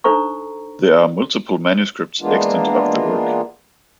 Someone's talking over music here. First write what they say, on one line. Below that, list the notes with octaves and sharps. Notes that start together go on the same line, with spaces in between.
There are multiple manuscripts extant of the work.
D4 D#4 A4 C5 A#5 C#6
E3 G#3 A#3 B3 D4 F4